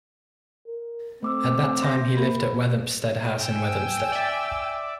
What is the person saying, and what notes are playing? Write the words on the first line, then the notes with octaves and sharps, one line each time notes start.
At that time he lived at Wheathampstead House in Wheathampstead.
A#4
A3 C4 D6 E6
C6 G6 A#6
A#3 B5
G5 G#5 E6
D5 E5